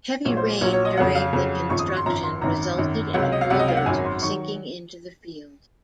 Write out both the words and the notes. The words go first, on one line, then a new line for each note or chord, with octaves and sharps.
Heavy rain during the construction resulted in a bulldozer sinking into the field.
A#1 A#2 F#3 C#5
C5
A#1 A#2 F#3 C#5
C#5
D#5
F2 C#3 F#3 F#5
F5
F2 C#3 F#3
G#1 F#2 F3 C#6
D#6
C#6
C6
G#1 F#2 F3 A#5
C6
G#1 F#2 D#3 A#5
G#1 F#2 D#3
C#2 C3 F#3 F#5
F5
D#5
F5
C#2 C3 F#3 F#5
D#5
F5
F#5
G#1 F#2 D#3 F#3 G#5
C6
D#3 F#3 C#6